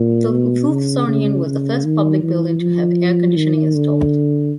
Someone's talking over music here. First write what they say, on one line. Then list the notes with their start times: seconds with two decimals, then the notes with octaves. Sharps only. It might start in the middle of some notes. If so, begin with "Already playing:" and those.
The Wolfsonian was the first public building to have air conditioning installed.
Already playing: A#2
0.31 B2
0.69 C#3
1.07 C#3
1.46 C#3
1.84 D#3
2.22 E3
2.60 F3
3.37 D#3
3.74 D3